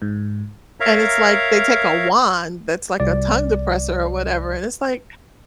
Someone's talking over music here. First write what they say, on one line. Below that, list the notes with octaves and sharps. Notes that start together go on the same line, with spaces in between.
And it's, like, take a wand that's, like, a tongue depressor or whatever, and it's, like,
G#2
A#4 C#5 E5 F5 A#5
C2 D5